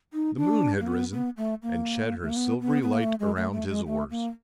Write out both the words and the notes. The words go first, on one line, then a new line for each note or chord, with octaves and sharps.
The moon had risen, and shed her silvery light around his oars.
D#4
D4
A#3
B3
B3
A3
A#3
A3
A#3
B3
B3
B3
A#3
A3
G#3
A3
A3
G#3
A3
A#3